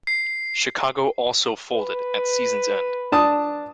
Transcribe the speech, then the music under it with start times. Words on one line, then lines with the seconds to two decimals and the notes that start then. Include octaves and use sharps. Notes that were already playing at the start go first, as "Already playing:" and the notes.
Chicago also folded at season's end.
0.07 C7
1.73 B4
3.12 D4 A5 D#6